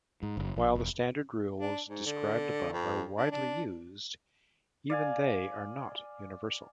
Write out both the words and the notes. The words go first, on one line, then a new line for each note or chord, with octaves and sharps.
While the standard rules described above are widely used, even they are not universal.
G#2
F#1
A#1
E1
D4
G#2
D3
F2
D4
D4
D5 F5 G#5